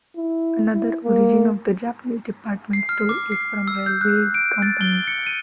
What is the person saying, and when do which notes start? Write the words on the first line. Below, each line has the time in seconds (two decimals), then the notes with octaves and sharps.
Another origin of the Japanese department store is from railway companies.
0.16 E4
0.73 E4
1.04 A#3
2.73 C7
2.89 F6
3.09 D6
3.32 C7
3.68 E6
3.86 G6
4.01 F#6
4.34 D7
4.62 A6
4.81 G7
5.07 C#7
5.27 D#7